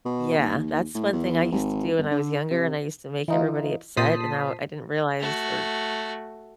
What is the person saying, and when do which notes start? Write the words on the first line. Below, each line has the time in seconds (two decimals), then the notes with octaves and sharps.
Yeah. That's one thing I used to do when I was younger, and I used to make everybody upset, and now I didn't realize or
0.05 B2
0.38 D#2
0.95 A2
1.13 E2
1.52 G#1
1.98 G1
2.11 D3
2.50 C3
3.28 E3 D#4 F4
3.97 A#2 C5 A5 D#6 B6 C7
5.20 A3 F#4